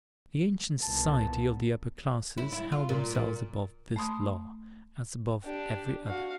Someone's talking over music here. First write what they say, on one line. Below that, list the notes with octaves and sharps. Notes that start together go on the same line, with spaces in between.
The ancient society of the upper classes held themselves above this law, as above every other.
C2 A#2 B3 A5
E4
E4
F4
A#2
A#2
A3 B5 C6 D#6
D4 G4
F#4 F5